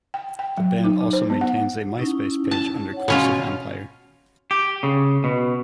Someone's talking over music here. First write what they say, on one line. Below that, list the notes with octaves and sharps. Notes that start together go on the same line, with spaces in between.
The band also maintains a Myspace page under "Course of Empire".
G5
G5
F#3
D#4
D#4
C5
B3
F#5
C#4 D#4 E4
A5
C#5 F#5
B2 C#4 F4
G4
C#3
B2